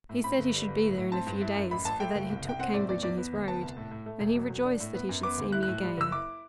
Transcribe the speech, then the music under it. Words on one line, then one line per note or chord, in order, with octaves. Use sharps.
He said he should be there in a few days, for that he took Cambridge in his road; and he rejoiced that he should see me again.
A2
C4 B5
G1
G3
G1
A2
A2
C4 A5
G2
E4
F#2
A1 B5
A1 A5
A3 G5
F#1
C2
C2 G5
C4 F#5
A2 D5
E2 D5
E2 D5
B3
D2
B3 A5
C2
A2
A2
A3
E1
F#3
E1
D4
A2
B3
F#2
B3 D6
D2
E4 F#6
F#6
A2
G3
F#1 E6
E4 D6